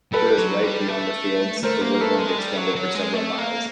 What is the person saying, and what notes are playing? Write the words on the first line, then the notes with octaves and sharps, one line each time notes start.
To his right beyond the fields the woodland extended for several miles.
G3 A4 B4
F#3
G3
A3
A3 A#4 C5
A#3
A#4
A3 A4 B4
G#3
G3
F#3
F#3
G#3
A3
A#3